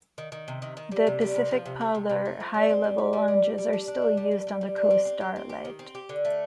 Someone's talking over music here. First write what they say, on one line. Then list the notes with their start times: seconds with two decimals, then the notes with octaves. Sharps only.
The "Pacific Parlour" Hi-Level lounges are still used on the "Coast Starlight".
0.18 D#3
0.32 D#3
0.48 C3
0.62 D#3
0.77 D#3
0.92 G3
1.07 C3
1.21 G3
1.36 C3
1.51 F3
1.66 C3
1.81 A3
1.95 C3
2.09 C3
2.25 A3
2.40 F3
2.54 G3
2.69 C4
2.84 G3
2.98 G3
3.13 G3
3.28 G3
3.44 G3
3.58 G3
3.73 D4
3.88 D4
4.02 G3
4.17 G3
4.31 G3
4.47 G3
4.61 G3
4.76 D4
4.91 C4
5.05 C4
5.21 G4
5.36 C4
5.50 G4
5.65 D#3
5.79 C4
5.95 G4
6.09 D3
6.25 A3